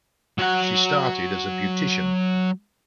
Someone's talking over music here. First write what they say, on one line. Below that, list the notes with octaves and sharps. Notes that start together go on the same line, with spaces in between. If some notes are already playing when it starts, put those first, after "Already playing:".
She started as a beautician.
F#3 F#5